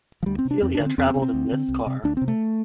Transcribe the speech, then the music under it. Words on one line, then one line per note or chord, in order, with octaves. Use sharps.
Celia travelled in this car.
F3
D2 G3
C4
C3
D4
F2 C4
D4
D3
C4
F2 C4
C4
C3
C4
D2
D3
C2
C3
D2 D4
C4
C3
A3